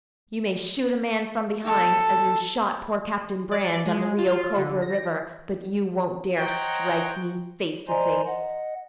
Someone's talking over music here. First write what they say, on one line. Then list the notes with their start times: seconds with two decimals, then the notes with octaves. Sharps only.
You may shoot a man from behind, as you shot poor Captain Brand on the Rio Cobra River, but you won't dare strike me face to face.
1.65 A4
3.51 D5
3.86 G#3
4.18 F4
4.57 D3
4.82 A#6
6.37 C5 C#5 D#5 F#5 G5 A#5
7.88 C5 D5 D#5 G#5 A#5 C6
8.27 D#5 F#5